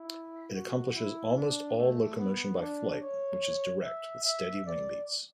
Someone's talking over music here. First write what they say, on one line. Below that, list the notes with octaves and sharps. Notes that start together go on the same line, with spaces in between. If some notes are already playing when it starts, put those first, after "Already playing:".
It accomplishes almost all locomotion by flight, which is direct, with steady wing beats.
Already playing: E4
F#4
E4
D4
A3
B3
D4
C#5
E5
E5
D5